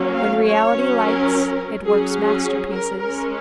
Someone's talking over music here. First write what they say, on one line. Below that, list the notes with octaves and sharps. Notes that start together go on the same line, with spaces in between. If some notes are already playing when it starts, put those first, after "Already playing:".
When reality likes, it works masterpieces.
Already playing: F#3 A#3 C#4
F5
C#5
F#3 C#4
A#4
F#3 C#4 G#4
G#4
A#4
G#3 C#4 A#4